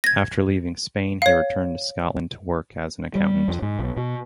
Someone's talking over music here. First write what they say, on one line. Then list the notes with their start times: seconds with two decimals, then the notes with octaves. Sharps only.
After leaving Spain he returned to Scotland to work as an accountant.
0.04 G#6 A#6
1.22 C#5 F5
3.15 G3
3.48 F2
3.62 G#2
3.79 B1
3.97 B2